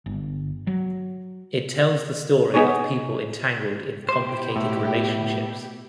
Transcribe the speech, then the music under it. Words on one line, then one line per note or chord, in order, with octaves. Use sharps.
It tells the story of people entangled in complicated relationships.
G1
F#3
B3 D#4 G#4 C#5
B2 E4 G4 C5
A2